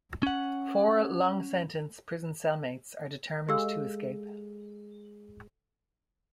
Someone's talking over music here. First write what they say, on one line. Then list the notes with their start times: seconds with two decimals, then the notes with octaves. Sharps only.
Four long-sentence prison cell mates are determined to escape.
0.23 C#4 F#5
3.49 G#3 G4 A4 F5 E6